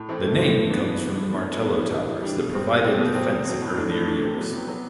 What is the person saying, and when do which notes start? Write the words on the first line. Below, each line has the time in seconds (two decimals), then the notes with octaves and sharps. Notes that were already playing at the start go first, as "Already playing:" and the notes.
The name comes from the Martello towers that provided defence in earlier years.
Already playing: A2
0.09 E3 A3 C4 E4
0.24 A2
0.39 E3 A3 C4 E4
0.55 E3
0.70 B3 D4
0.85 E3
1.01 B3 D4
1.16 A2
1.31 E3 B3 D4
1.46 A2
1.61 E3 B3 D4
1.77 E3
1.92 G3 D4
2.08 E3
2.22 G3 D4
2.37 B2
2.54 G3 C4
2.68 B2
2.84 G3 C4
2.99 B2
3.14 F#3 C4
3.30 B2
3.44 F#3 C4
3.61 A2
3.75 E3 A3 D4
3.91 A2
4.06 E3 A3 D4
4.22 C3
4.37 F#3 B3
4.52 C3
4.67 F#3 B3